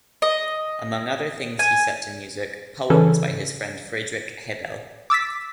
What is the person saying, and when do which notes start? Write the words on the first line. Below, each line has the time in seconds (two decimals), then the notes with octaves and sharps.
Among other things he set to music poems by his friend Friedrich Hebbel.
0.22 D#5
1.59 G#5
2.90 C#3 E3 C#4 A4
5.10 D6 E6 A6 B6